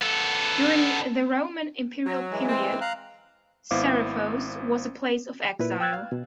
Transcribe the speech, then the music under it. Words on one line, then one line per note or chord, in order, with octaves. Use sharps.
During the Roman imperial period, Serifos was a place of exile.
B3 A4
F#3
E3 G#3
C4
F5 A#5 F#6
G#1 B3 E4 C5 F5 D6
A#2 E4 B4
G5 E6 F#6 G#6 A6
F5
B2